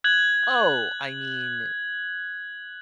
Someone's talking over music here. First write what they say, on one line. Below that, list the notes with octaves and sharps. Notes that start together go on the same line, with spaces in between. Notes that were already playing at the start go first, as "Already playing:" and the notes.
Oh, I mean, w
F#6 G#6 F#7